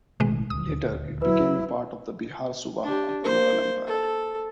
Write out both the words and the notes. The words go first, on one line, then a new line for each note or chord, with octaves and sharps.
Later, it became a part of the Bihar Subah of the Mughal empire.
A1 B2 D#3 G#3 A3
D#1 D2 D#6
F#3 E4 B4
D4 G4
A#3 C5
A4